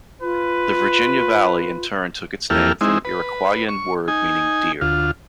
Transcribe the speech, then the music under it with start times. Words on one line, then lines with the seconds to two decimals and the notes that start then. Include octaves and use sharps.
The Virginia valley in turn took its name from an Iroquoian word meaning 'deer'.
0.22 F4 B4
2.50 E2 A#3 E4 G4 A4 F6
2.81 G#3 C4 D#4 E4
3.05 B4
3.69 C#6
4.08 D#4 G#5
4.81 D2 F4